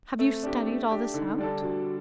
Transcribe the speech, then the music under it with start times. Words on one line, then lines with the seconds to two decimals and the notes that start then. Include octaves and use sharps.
"Have you studied all this out?"
0.19 A3 C4
0.43 D4 G4
0.66 A3
0.90 D4 G4
1.14 D3 D#4
1.38 G3 D4 A4
1.62 D3 F#4